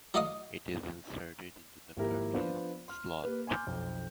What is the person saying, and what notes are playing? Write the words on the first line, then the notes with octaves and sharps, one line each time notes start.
It is inserted into the Cartridge Slot.
F#3 A3 D5 D#5 F5 D#6
G#1 F3 A#3 E4 G4 A#4
F3 B3 D4 C5 F5
C6 F6
A#3 G4 B4
G#5 A#5 C6 D6 F6 G6
B1 F2